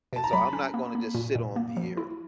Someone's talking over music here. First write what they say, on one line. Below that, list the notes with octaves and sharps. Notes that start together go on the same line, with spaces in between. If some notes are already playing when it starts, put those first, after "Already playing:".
and so, I'm not gonna just sit on here,
B2 A5
A#5
F#3 B5
C#4
A#3
A#3
A#2
A#2
A#3
F3
E4